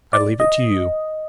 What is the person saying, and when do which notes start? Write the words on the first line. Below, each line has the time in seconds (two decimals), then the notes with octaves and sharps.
I leave it to you.
0.13 D5
0.40 D#5